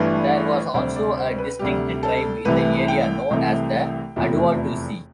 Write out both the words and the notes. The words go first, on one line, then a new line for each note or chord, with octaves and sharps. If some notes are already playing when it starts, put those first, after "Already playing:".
There was also a distinct tribe in the area known as the Aduatuci.
Already playing: G1 G2 E3 A3 B4
D2 C3 G3 C5
D5
C5
B4
D2 C3 G3 G4
A4
C2 C3 E3 A3 B4
G5
C2 C3 E3 A3
F1 E2 C3 F3 A3